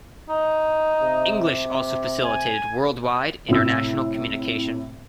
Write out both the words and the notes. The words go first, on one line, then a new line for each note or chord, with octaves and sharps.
English also facilitated worldwide international communication.
D#4
C3
G#5
A2 C3 E6